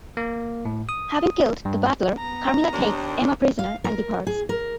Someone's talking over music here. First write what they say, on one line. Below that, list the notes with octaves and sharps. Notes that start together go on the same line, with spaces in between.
Having killed the butler, Carmilla takes Emma prisoner and departs.
A#3
A2
D#6
G2
B3 A#5
D#2 D4
F5
A#4
G#4
A#4